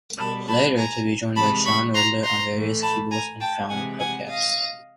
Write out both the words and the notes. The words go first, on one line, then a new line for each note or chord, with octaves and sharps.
Later to be joined by Sean the Riddler, on various keyboards and found hubcaps.
B2 G3 A5 B5
A5 B5
G#5 A#5
C3 E3 G#3 A5 B5
B5 C#6
A#5 C6
A#5 C6
A2 E3 A3
A5 B5
G#5 A#5
G5 A5
C3 E3 G#3 F#5 G#5
F#5 G#5
D#5 F5